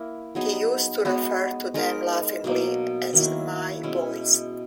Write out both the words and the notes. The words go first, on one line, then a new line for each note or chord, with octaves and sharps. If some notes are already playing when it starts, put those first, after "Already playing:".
He used to refer to them, laughingly, as 'My Boys'.
Already playing: A#3 E4 A#4
F#3 B3 D#4 G#4
G#3 B3 F#4
G#3 D#4 A#4
B2 F#3 A#3
D#3 F#3 A#3 E4
B2 G#3 C#4 E4